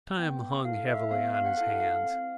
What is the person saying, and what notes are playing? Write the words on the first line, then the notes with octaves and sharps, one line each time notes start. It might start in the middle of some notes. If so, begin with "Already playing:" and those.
Time hung heavily on his hands.
B3 G5
E4 A4 F5
E5
B3 F5
F5
F#5
E4 A4 F5
F5
C4